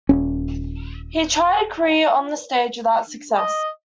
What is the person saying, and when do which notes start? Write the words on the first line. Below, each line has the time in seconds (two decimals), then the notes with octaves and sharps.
He tried a career on the stage without success.
0.09 D#1 C#4
3.37 D#5